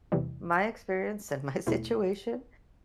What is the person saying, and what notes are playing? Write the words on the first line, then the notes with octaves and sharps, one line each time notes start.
my experience and my situation,
E2 C3 E3 G3
E2 B2 A3 E4